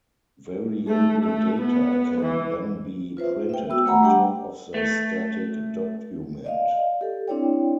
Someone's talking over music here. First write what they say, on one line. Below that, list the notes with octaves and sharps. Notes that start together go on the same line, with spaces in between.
Variable data can then be printed on top of the static document.
A3
A3
B3
E3
F4 B4 C5 E5
E5 G5
B3 F#4 E6
A3 E5 F#5 G#5 A#5 B5
G3 D4 G4 F#5 G5
A3
D5 D#5 F5
G4 A4
C4 D4 E4 C#5 D5 G5